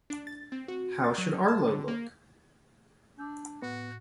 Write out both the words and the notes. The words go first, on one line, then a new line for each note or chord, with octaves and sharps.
How should Arlo look?
D4
A6
C4
F#4
A6
F#3
D3
A5
D3
A#3
D4 D6 E6 G6
A2 B3 F#4 F#5